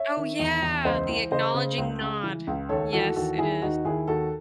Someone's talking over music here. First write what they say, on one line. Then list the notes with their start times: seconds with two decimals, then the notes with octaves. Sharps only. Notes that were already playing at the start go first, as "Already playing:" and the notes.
Oh, yeah, the acknowledging nod. Yes, it is.
Already playing: C#5 E5
0.17 D#3
0.39 E2
0.62 E2
0.85 C#2 C5 D#5
1.09 E3
1.31 C#3 C5 D#5
1.54 C#3
1.78 C#2
2.01 C#3
2.23 E3
2.47 C#2
2.69 D#2 A4 C#5
2.92 E3 F#4 A4
3.16 D#2 F#4 A4
3.38 D#2 E4 G#4
3.62 D#2 D#4 F#4
3.85 D#2 E4 G#4
4.07 D#2 F#4 A4